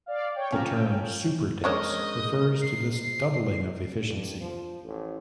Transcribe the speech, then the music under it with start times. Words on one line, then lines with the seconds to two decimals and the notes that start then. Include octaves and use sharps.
The term "superdense" refers to this doubling of efficiency.
0.06 D5 F5
0.35 C#5 G5
0.52 F3 C#4 G4 A#5
0.66 G5
1.64 G#3 C#4 D4 A#4 C5 C#5 D#5
2.62 C7
4.05 G2
4.40 F3
4.82 A1